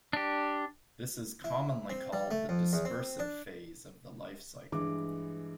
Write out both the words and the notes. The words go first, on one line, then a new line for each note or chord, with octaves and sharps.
This is commonly called the dispersive phase of the life cycle.
D4 G4
E4
C4
G3
A3
F2
E2
C4
D4
G2 E3 G#3 D6